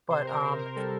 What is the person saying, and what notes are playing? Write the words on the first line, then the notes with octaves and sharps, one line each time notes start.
but, um,
C3 C5
A#4
C3 C5
A#4
G3 A4